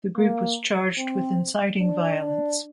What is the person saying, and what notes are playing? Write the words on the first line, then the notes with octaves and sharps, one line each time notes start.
The group was charged with inciting violence.
A#3
C4
D4
D4